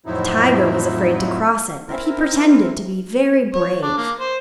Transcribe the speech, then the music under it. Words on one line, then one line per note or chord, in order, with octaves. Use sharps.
The tiger was afraid to cross it, but he pretended to be very brave.
F2 A2 F3 F#3 D#4 E4
C4 E4 A#4
C#5
D4
A#3
C5